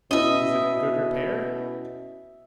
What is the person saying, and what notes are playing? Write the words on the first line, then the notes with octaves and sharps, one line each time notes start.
"Is it in good repair?"
B2 C#4 E4 D#5 E5